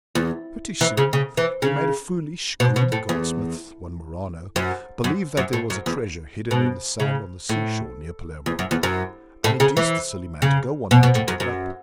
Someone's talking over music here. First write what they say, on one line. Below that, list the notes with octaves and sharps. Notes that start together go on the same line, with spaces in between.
Pretty soon he made a foolish, greedy goldsmith, one Marano, believe that there was a treasure hidden in the sand on the sea-shore near Palermo, and induced the silly man to go one night to dig it up.
E2
E3
C#3
C#3
E3
C#3
B2
B2
A2
E2
F#2
F#2
F#2
A2
F#2
E2
B2
C#3
A2
E2
F#2
E2
F#2
A2
C#3
E3
C#3
B2
B2
A2
F#2
F#2